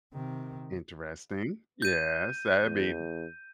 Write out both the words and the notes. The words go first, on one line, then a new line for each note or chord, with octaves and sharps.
Interesting. Yes. That'd be
C3 D#3
G6 D#7
E2